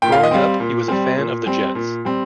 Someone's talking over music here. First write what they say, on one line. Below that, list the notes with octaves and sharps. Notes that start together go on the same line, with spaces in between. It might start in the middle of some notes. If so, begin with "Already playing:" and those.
Growing up, he was a fan of the Jets.
A#2 G5
F5
D#5
G3 C4 F5
A#2
G3 C4
A#2
G3 C4
A#2
G3 C4